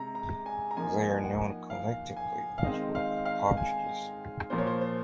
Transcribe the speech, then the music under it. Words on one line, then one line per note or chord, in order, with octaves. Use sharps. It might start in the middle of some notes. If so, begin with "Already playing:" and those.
They are known collectively as rock partridges.
Already playing: C3 G#3 A#5
A#5
G#5
A#5
F3 A#3 D#4 G#5
F#5
F5
G#5
F5
D#3 G#3 C4 D#4 D#5
F5
F5
G#5
A#2 F3 A#3 C5
C#5
C5
C5